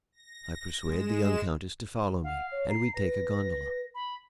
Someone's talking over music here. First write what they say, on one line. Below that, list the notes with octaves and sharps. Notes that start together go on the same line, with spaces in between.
I persuade the young countess to follow me, and we take a gondola.
A#6
G#3 E7
F5 F#5
C#5
A#5 C7
B4 A#6
B5